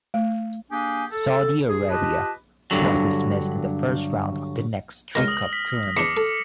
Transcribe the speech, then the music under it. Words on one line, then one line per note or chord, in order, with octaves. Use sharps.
Saudi Arabia was dismissed in the first round of the next three Cup tournaments.
A3
A#3 D4 G4 G#4 G#5
A4
G#4
F4 G4 B4 D#5 A5
G2 D3 F#3
C#2 G2 D#3 F6 A#6
D#6 F#7
B6
E2 D4 D6 C7 C#7
A4